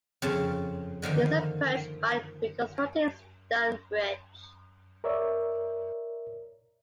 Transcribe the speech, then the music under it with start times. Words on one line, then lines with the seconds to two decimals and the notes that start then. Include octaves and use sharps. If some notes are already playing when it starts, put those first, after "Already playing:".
It is approached by a reconstructed stone bridge.
0.22 F2 C#3 A5
1.02 D3 D#3 F3 A#3
5.04 A#4 C#5 D5 E5